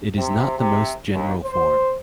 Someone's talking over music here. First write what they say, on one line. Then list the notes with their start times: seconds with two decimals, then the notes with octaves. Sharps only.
It is not the most general form.
0.16 C3
0.58 C3
1.12 D#2
1.44 C5